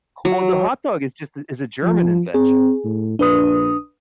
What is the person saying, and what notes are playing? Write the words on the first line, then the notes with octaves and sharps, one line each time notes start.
Well, the hot dog is just a is a German invention.
F#3
F3
C4 G#4
A2
A#1 D4 B4 D#6